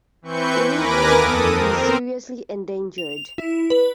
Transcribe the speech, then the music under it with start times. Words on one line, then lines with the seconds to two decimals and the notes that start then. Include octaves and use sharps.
Inuttitut is seriously endangered.
0.22 E3 C4 B4 C#6 G6 C#7
0.69 D#2 A#4 B4 G#5 D6 A#6
1.15 F2 A4 D#6
1.48 C4 A#4
2.98 F7
3.38 E4
3.70 B4